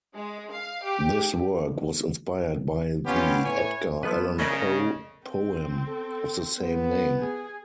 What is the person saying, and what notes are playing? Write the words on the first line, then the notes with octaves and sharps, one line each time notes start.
This work was inspired by the Edgar Allan Poe poem of the same name.
G#3
F5
G4
B3 C#4 F4 G4
A2 B4 C#5 G#5
F3 F#3 B3 A4 B4
C#3 A3 C#4 A#4 D5 D#5
C4
A4
B3
G#4